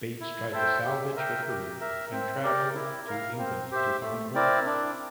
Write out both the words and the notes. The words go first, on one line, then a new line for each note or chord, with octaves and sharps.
Bates tried to salvage her career and traveled to England to find work.
E4
A4 C5 E5 G5
G4
A#4 E5 G5
G4
A#4 E5
C4
G4 A#4 D5
E4
A#4 F5
C4
G4 C5 E5
A3
C4 E4 A#4 D5
D4